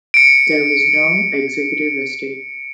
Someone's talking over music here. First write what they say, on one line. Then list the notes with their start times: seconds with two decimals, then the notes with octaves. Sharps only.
There was no "Executive" estate.
0.14 C#7 D7